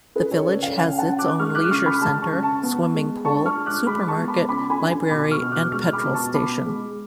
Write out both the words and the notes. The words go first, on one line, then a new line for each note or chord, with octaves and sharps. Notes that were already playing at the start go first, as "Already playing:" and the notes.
The village has its own leisure centre, swimming pool, supermarket, library and petrol station.
C#4 G#4 B4
A4 C#5
C#3 B4 D5
C#5 F5
C#3 F5 G#5
F#5 A5
C#4
D6 F#6
G#3 C#6 F6
D6 F#6
C#3 C#6 F6
B5 D6
G#3 A5 C#6
A5 C#6
C#3
A5 C#6
B3
G#3
D4 A5 C#6
C#6 F6
G#3
D6 F#6
G#3 B5 D6
A5 C#6
B3
B5 D6
C#3 B5 D6
G#5 B5
D4
G#5 B5
B2 B5 D6
C#6 F6
B2
D6 F#6
G#3 C#6 F6
B5 D6
B2
A5 C#6
B3 B5 D6
G#3